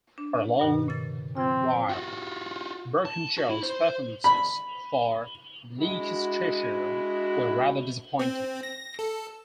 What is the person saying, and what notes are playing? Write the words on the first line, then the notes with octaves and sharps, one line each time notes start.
For a long while Birkenshaw's performances for Leicestershire were rather disappointing.
D4
G2 B2 D#3
A#2 C#3 A6
F3 C4 F4
F4 F#4
A5
F#4
E4
C5
B5
G#3 D4 E4 F#4
C4
A#6
A4